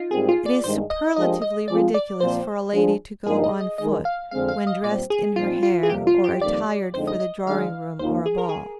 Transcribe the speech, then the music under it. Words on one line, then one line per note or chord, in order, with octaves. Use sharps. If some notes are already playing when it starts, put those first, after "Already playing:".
It is superlatively ridiculous for a lady to go on foot, when dressed in her hair, or attired for the drawing-room or a ball.
Already playing: D#4 F4
G#2 G3 C4 G4 G#4 A#4
F4
D5
G2 D#3 G#3 C5
D#5
F3 G#3 D4 G4 A#4 D#5
D#5
F3 G#3 C4 F4 D5
D5
A#2 F3 C4 C5
F3 G#3 D4 G#4
G2 F3 A#3 D#4 G#4 A#4
D#5
D#5
D#3 G#3 D#4 A#4 D#5
F5
F2 D3 G#3 C4 F5
F5
D#5
A#2 G3 C4 D5
G#4
A#2 F3 C4 D#4 F4
F4
G#4
F2 C3 G3 A#3 G4
F4
G4
F2 D#3 G3 A#3 D5
F2 D3 G#3 C4 D#4 C5
D#5
D#5
D#3 G#3 D4 F5
D#2 D#3 A#3 F4 C5
G#4
A#4
G#4